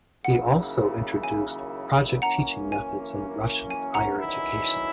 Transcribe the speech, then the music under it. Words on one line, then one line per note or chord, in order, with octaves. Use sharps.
He also introduced project teaching methods in Russian higher education.
D#2 C#3 F#3 A#3 E4 F#5
G#5
F#2 E3 A#3 C#4 F#5 A#5
G#5
G#5
F#5 A#5
E2 D#3 F#3 C#4 E4